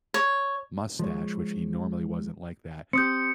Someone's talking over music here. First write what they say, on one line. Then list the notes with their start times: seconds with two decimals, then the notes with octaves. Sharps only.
mustache, which he normally wasn't like that,
0.14 C#5
0.99 F3 G#3 C#5
2.93 C4 G4 C6 D#6 G6 C#7